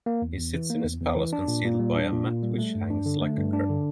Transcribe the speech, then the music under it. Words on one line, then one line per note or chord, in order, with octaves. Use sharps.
He sits in his palace concealed by a mat which hangs like a curtain.
A#3
E2
E2
E3
A#3
E2
E2
E3
D4
A#2
A#2
G3
D4
A#2
A#2
G3
A3
G2
D4
D3
A3
G2
D4
D3